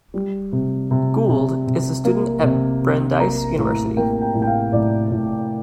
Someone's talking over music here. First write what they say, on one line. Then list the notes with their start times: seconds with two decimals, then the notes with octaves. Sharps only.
Gould is a student at Brandeis University.
0.14 G3
0.52 C3
0.91 C3
1.29 C3
1.67 C3
2.05 A#3
2.43 C3
2.82 C3
3.20 A#3 A#5
3.58 A2
3.97 A#3 G5
4.21 G5
4.34 A2
4.42 G5
4.47 F5
4.72 A2 D5
5.11 A2